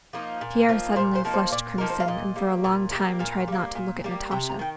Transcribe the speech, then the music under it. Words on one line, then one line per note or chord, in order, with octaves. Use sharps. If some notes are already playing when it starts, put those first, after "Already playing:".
Pierre suddenly flushed crimson and for a long time tried not to look at Natasha.
F3 A#3 D#4
A#2
F3 A#3 D#4
A#2 C5
C5
F3 A#3 D#4
C5
A#2 D5
F3 A#3 D#4 A#4
C5
F5
A#2 D#5
G3 A#3
A#2
G3 A#3
A#2 F5
G3 A#3
A#2
G3 A#3
C3 G5
A#5
D#3 G5